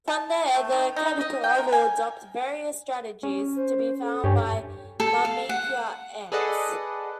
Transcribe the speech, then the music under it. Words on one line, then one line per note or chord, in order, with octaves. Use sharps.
From there the caterpillar will adopt various strategies to be found by "Myrmica" ants.
A5
A3
D#3
D#4
D#5
G5
A#4
G#5
C#4
C5
A4
G2 G4 C#5 G#5
A4
F5
F#5
G#4 A4 B4 D5 D#5 F#5